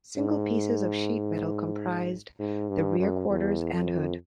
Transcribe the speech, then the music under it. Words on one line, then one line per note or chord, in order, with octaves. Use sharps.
Single pieces of sheet metal comprised the rear quarters and hood.
G#2
G#2
G2
F#2
E2
F2